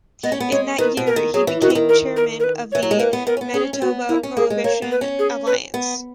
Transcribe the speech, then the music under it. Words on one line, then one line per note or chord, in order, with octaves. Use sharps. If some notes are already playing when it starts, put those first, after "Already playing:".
In that year, he became chairman of the Manitoba Prohibition Alliance.
B3 D#5
C#4
B3
G#3 C#5
D#3 B4
B2
A#4
D#3
F#3 G#4
E3
D#3 F#4
E3
D#3
A#4
A#4
A#4
B4
E3 C#5
F#3
G#3
A#3 B4
B3
B3 A#4
C#4
B3
C#4 G#4
C#4
B3 F#4
A#3 E4
C#4
A#3 G#4
G#3
A#3 C#5
B3
B4
C#4
G#4
B4
B3